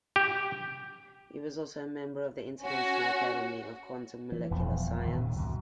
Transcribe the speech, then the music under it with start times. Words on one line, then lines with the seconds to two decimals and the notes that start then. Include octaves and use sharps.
He was also a Member of the International Academy of Quantum Molecular Science.
0.16 G4
2.61 C#4 F#4
4.32 E3
4.51 D#1 E2 F3
5.04 D#2 A#2 D3 D#3
5.36 C#2 F#2 B2